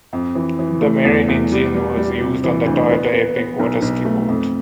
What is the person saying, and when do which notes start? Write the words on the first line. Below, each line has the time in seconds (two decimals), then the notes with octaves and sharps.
The marine engine was used on the Toyota Epic waterski boat.
0.13 F2
0.35 E3
0.59 E3
0.81 A3
1.05 E2
1.28 E2
1.52 G3
1.74 G3
1.97 G3
2.21 C3
2.44 E3
2.66 D2
2.89 B3
3.12 B3
3.36 B3
3.59 B1
3.82 B1
4.05 A3
4.28 F2